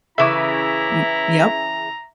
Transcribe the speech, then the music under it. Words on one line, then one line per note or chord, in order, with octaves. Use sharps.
Y yep.
C#3 E3 E4 E5 A#5 C#6 D6